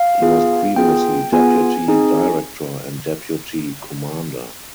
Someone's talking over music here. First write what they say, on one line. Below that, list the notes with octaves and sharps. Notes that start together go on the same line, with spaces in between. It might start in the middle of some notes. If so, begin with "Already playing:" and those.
He was previously deputy director and deputy commander.
Already playing: F5
B3 F4 G#4
B3 F4 G#4 G5
B3 F4 G#4 G#5
C4 D#4 G#4